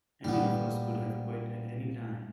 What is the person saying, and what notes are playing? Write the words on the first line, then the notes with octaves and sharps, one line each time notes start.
Any of us could have quit at any time.
A#2 G3 B3